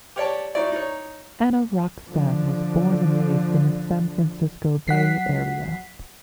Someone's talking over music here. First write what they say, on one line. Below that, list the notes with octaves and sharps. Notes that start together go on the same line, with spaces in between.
Ana Roxanne was born and raised in the San Francisco Bay Area.
G4 C#5 D5 A5
D#4 E4 F#4 D5
D#4 C#5
D3 F3
F#3 F#5 B6 C7